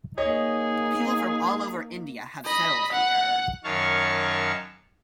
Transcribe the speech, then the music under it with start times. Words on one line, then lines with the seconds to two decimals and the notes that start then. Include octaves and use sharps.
People from all over India have settled here.
0.18 A#3 D#4 G#4 C#5 D#5
2.46 D#5 B5
2.92 F#5
3.64 F#2 D#3 C#5 F5 A5 C#6